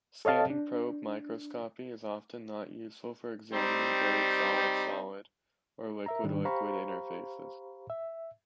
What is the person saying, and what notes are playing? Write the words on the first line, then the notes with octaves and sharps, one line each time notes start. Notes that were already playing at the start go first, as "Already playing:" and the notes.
Scanning probe microscopy is often not useful for examining buried solid-solid or liquid-liquid interfaces.
A4 C#5 D#5 F5 A5
D4
G3 C4 D#4
A#4 E5 A#5
G#2 D#3 G3 D4
G4 C5 F5 A#5 B5 C#6
E5